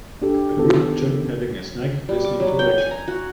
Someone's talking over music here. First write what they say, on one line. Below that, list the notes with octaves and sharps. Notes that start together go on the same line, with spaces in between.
A group of children having a snack listening to a lecture.
D4 G4 A4
D#3 B3 A4
G3
D6
F#3
G5
G#5
A#5
F#4